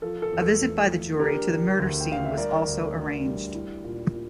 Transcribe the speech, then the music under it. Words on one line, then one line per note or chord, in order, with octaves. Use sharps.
A visit by the jury to the murder scene was also arranged.
F3 A4
A4
E2
A4
A3
F3
D4 G4 A#4
D3
D2
G5
D3 F5
E5
G3 A#4 D5
D2
D2
G3
E4
A#2
A#2